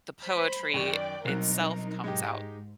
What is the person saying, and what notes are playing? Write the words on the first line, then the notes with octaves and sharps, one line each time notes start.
the poetry itself comes out
C5 B5
F#2 D#3 D5 G5 C#6
C2 B2 F#3 C4 D#4 A#4 F#6
G#2 G#3 D#4 G4